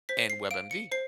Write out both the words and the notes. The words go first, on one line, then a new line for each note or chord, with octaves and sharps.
and WebMD?
C5 B6
C7
F5 D7
C#7
C5 C7